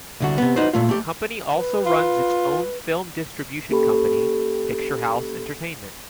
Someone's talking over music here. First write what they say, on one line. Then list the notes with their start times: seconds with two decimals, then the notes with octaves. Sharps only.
The company also runs its own film distribution company, Picturehouse Entertainment.
0.20 C2 D3 F#4
0.38 C3 B3
0.56 D#4 F#4 B4 C5
0.73 A#2 A3 F4
0.89 A3 G4
1.54 B4
1.86 F4
3.70 A#3 C#4 G4 A4 B5